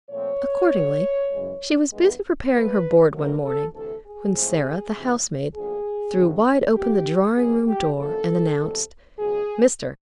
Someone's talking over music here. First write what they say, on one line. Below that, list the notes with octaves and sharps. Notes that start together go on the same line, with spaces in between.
Accordingly, she was busy preparing her board one morning, when Sarah, the housemaid, threw wide open the drawing-room door and announced, 'Mr.
A#2 F3 A3 C4 C#5
G2 D3 F#3
F#2 C#3 E3 G#3
G2 E3 G#3 B3
A#2 F3 G#3 B3 B4
C#2 B2 F#3 A3 C4 A#4
A4
D2 C3 E3 A4
G#4
A2 F3 G#3 C4
D2 C3 E3
D2 D3 F3 A#3 G#4
G2 D3 F#3 A3 C4
A#2 F3 A#3 G4
D#2 C#3 F#3 B3 G#4
G4
F#2 D3 F3 A#3 A4
E2 C3 D#3 G3
C#2 B2 F#3 G#4